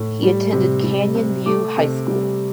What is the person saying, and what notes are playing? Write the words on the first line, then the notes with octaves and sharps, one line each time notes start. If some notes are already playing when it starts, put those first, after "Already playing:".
He attended Canyon View High School.
Already playing: A2
G3
C3
G3
C3
A3 D6
C3
G3